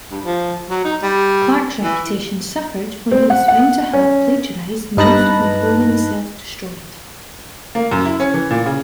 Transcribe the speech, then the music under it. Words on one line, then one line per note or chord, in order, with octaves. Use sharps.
Clark's reputation suffered when he was found to have plagiarized most of Napoleon Self-Destroyed.
G2
F3
F#3
D#4
G3
E3
C4
F#5
F#5
C#4
G2 D#4 B4 A5 F#6 A#6
A#3
F#2
E4
C#4
E3
A#2
C#3